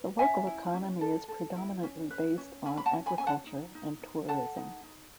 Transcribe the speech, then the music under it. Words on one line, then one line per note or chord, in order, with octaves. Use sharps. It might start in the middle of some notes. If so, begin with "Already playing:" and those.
The local economy is predominantly based on agriculture and tourism.
Already playing: B4
C#4 E5 G#5
E4
C#4
A4
A4
E4
C#4
B4
C#4
C#4 G#5 B5
B5
F#5 A5
C#4
G#5 B5
C#4 G#5
F#5 A5
D#4
D#4
D#4
A4 F#5 A5
D#4
D#4